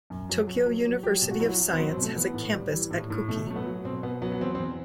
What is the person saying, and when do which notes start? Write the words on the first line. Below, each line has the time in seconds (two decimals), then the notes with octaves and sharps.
Tokyo University of Science has a campus at Kuki.
0.10 F#2
0.29 F#3
0.47 F#3
0.66 F#3
0.85 F#3
1.03 F#3 G4
1.22 B2
1.31 F#4
1.40 F#3 E4
1.48 F#4
1.60 F#3
1.69 C4
1.73 B3
1.79 F#3
1.89 C4
1.97 B2
2.03 A3
2.15 E3 B3
2.34 A2
2.54 G3
2.72 E3
2.91 A2
3.10 A2
3.28 B2 A3
3.47 F#3 A3
3.56 B3
3.66 F#3
3.84 B2 C4
4.03 B2 B3
4.22 F#3 B3
4.32 B3
4.40 E2 C4
4.55 C4
4.59 E2